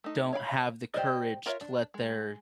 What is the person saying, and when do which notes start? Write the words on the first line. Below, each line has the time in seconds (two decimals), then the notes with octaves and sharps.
don't have the courage to let their
0.04 A3 D#4
0.33 C#5 F5 G5 B5
0.94 G4 C5 D5 D#5
1.46 F4 A#4 C#5 D5 E5
1.61 D4
1.94 G#3